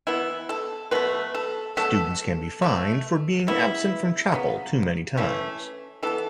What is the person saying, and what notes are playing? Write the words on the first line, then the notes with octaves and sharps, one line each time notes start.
Students can be fined for being absent from chapel too many times.
E3 B3 E4
A4
B2 F#3 A3 B4
A4
B2 F#3 A3 A4
B2 A3
C#3 E3 B3 E4
C#3 F#3 B3
E3 A3 C#4
E3 B3 A4